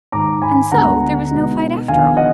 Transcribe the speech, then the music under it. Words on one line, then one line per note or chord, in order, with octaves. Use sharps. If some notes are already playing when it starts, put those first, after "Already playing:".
And so there was no fight after all!
G#2 D#3 G#3 A#5 D6
G#5 B5
D2 D3 G#3 B3 F#5 A#5
B2 G#3 D#4
D#2 D3 F3 B3 F5 G#5
D#5 F#5